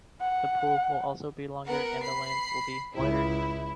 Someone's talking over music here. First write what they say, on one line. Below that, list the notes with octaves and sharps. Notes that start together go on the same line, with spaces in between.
The pool will also be longer and the lanes will be wider.
F#5
B3 A#4 F#5
B5 C7
C#2 E4